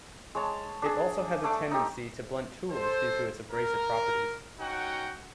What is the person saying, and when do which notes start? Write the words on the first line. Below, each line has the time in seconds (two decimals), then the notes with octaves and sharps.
It also has a tendency to blunt tools due to its abrasive properties.
0.35 G#3 C#5 A5
0.82 D4 G#4
1.44 A3 D4 D6
1.71 D#4 G4
2.70 A4 C5
3.51 A#4
4.60 C#4 D#4 F#4 F#5 G5